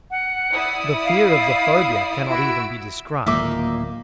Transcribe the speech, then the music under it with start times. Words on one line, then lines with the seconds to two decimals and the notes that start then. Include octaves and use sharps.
The fear of the phobia cannot even be described.
0.11 F#5
0.53 E4 D5 D#6
1.05 F5
2.28 E4 F#4 E6 D7
3.26 D1 A#2 D#3 A#3 D#4 E5 D6